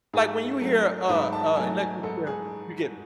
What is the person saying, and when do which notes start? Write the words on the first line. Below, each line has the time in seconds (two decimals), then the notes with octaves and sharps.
like when you hear, uh, uh, Electric Chair, you get
0.13 G#2 G#4
0.61 F#3 A3
1.09 G#2 B4
1.33 A5
1.56 F#3 A3 G#5
1.79 G#5
2.03 G#2 A4
2.27 G#4